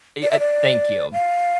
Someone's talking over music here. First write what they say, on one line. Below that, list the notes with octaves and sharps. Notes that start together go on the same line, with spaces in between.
eh, uh, thank you.
D5
E5
D5
F5